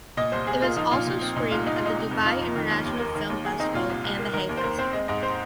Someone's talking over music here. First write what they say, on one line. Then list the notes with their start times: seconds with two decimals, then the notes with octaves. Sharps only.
It was also screened at the Dubai International Film Festival and the Hay Festival.
0.17 A#2 D#5
0.32 C2 C5
0.47 C2 G#4
0.62 A#3 F4
0.76 F3 D#4
0.91 A#2 F4
1.07 A#2
1.21 C4
1.36 A#2 D#4
1.51 C2 F4
1.66 C2 D#4
1.76 G#3 F4
1.86 D#4
1.95 C3
2.11 F2
2.25 F2 F4
2.41 F3
2.56 D#3
2.70 D#2
2.85 D#2
3.00 A#3
3.15 D#3
3.30 D#2
3.45 D#2 G#4
3.60 C4 D#4
3.74 A#2 F4
3.90 C2
4.04 C2
4.19 A#3
4.34 D#3 A#4
4.49 D#2
4.57 C5
4.63 D#2 A#4
4.79 C4 C5
4.93 G#3 D#5
5.08 G#2 D#5
5.23 C5